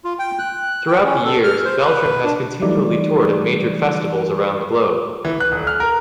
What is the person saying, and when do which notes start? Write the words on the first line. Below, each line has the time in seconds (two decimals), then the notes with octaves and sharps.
Throughout the years, Beltram has continually toured at major festivals around the globe.
0.04 F4
0.19 G5
0.39 F#6
0.88 G5
1.04 C#4
1.24 A4
1.44 F6
1.65 C5
1.80 B4
2.24 D4
2.62 E3 F#3 G3 A3 D#4 D5
5.25 E3
5.40 F#6
5.52 D#1
5.67 F6
5.80 A#4